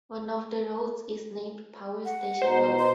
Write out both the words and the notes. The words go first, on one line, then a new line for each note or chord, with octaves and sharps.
One of the roads is named Power Station Road.
F#5
B2 D#4 C5
C6